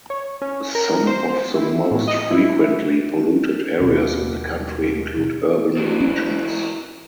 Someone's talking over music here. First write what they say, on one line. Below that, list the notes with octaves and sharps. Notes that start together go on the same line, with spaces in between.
Some of the most frequently polluted areas in the country include urban regions.
C#5
C#4
A#4
C5
E4
A2
D#5
E4
D#2 B2
G#2 E3